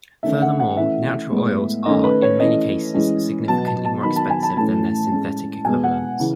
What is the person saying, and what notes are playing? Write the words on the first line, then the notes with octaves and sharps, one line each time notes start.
Furthermore, natural oils are in many cases significantly more expensive than their synthetic equivalents.
D#3 A3 C#4 E5
F#5
F#5
E3 A3 C#4 E5
A2 G#3 B3
D#3 A3 C#4 D#5
B4
C#5
E3 A3 C#4 D#5
E3 G#3 C#4
B2 F#3 B3 A5
A5
A5
D#3 F#3 B3 B5
A5
G#5
A5
A2 E3 A3 C#4 A5
A2 G#3 C#4
B2 G#3 B3 G#5
F#5
C#3 E3